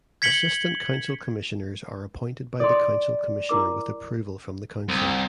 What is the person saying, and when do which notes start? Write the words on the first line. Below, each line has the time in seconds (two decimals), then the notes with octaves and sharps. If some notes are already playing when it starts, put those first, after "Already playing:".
Assistant council commissioners are appointed by the council commissioner with approval from the council.
0.22 G#6 B6 C#7 F#7 G7
2.60 A4 D5 C6
3.49 E4 A#4 D6
4.88 C2